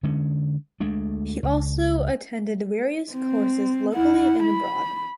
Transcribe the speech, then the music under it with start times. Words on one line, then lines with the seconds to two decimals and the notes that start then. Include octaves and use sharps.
He also attended various courses locally and abroad.
0.03 D3 G#3 C#4
0.80 D2 G#3 A3 D4
1.43 C#2
3.13 C4
3.93 E4 F#5
4.43 B5